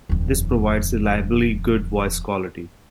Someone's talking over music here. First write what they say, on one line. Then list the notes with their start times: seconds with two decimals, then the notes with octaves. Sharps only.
This provides reliably good voice quality.
0.09 D#1 F2